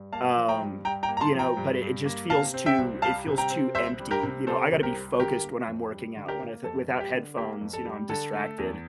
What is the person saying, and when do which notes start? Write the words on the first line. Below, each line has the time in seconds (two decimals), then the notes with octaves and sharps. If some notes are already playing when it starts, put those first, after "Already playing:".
um, you know, but it it just feels too it feels too empty, you know? I gotta be focused when I'm working out. When I th without headphones, you know, I'm distracted.
Already playing: G2
0.13 A#3 F5 A5
0.36 F3
0.49 G5 A#5
0.61 G2
0.85 G2 G5 A#5
1.03 G5 A#5
1.09 A#3
1.17 A#5
1.21 A5 C6
1.34 F3
1.39 G5 A#5
1.57 G2
1.82 G2
2.05 A#3
2.30 C3 F5 A5
2.54 C4
2.66 E5 G5
2.78 C2
3.02 G3 F5 A5
3.26 C3
3.38 G5 A#5
3.50 C4
3.74 C2 C5 E5
3.99 G3
4.11 G4 A#4
4.23 C3
4.47 C4 A4 C5
4.72 C2
4.83 G4 A#4
4.96 G3
5.19 D3 G4 A#4
5.44 A#3
5.68 F2
5.93 G3
6.16 D3
6.28 G4 A#4
6.40 A#3
6.64 F2 A4
6.89 G3
7.00 G4
7.13 D3
7.37 A#3 G4
7.61 F2
7.73 A4
7.85 G3
8.09 D3 A4
8.33 A3
8.58 E2